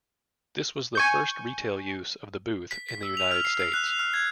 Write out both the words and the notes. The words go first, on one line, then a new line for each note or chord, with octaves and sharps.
This was the first retail use of the booth in the United States.
G#5 C#6 G6
B6
B6
E6
F7
F6
C7
C7
F#6
F7
F6
G#6